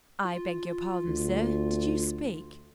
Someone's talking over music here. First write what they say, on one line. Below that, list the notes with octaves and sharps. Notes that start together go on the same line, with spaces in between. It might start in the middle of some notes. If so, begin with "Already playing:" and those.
I beg your pardon, sir, did you speak?
F4
D2